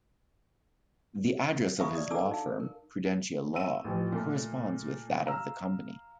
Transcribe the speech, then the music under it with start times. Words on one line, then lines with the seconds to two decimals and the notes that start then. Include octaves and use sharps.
The address of his law firm, Prudentia law, corresponds with that of the company.
1.79 E5 F5 A#5 B5 C#6 D#6
1.95 D5 D#6
2.11 D4 A4 A#5 D6 E6
2.31 D#4 F5
2.60 A#4
3.54 D#5 E6 D#7
3.84 A1 F3
4.12 A#2 A3 A#3
5.26 F5 A#5 E6